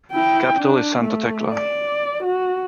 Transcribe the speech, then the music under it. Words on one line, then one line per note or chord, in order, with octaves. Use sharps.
The capital is Santa Tecla.
E4 G5
D4
A3
D5
F#4